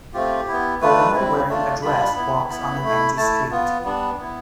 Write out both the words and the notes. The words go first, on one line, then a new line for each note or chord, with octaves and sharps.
A woman wearing a dress walks on an empty street.
A3 C4 F4 G4
B3 E4
A3 D4 F4 B4
G3 C4 E4
A3 D4 F4
G3 D4 F4 B5
B3 E4
B3 E4 B5
A3
E4
A3 E4 A5
B3 F4
G3 B3 D4
B3 E4